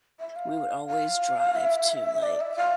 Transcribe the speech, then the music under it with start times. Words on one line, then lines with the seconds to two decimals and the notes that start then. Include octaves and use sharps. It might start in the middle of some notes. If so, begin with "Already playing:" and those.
we would always drive to, like,
0.20 E5
0.36 F5
0.87 F5
1.55 E5
2.23 D5
2.40 E5
2.57 F5